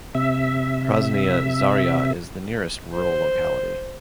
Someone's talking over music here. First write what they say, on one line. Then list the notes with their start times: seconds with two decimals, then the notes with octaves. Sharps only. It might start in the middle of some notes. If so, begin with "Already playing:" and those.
Krasnaya Zarya is the nearest rural locality.
0.15 C3 E5
2.94 C5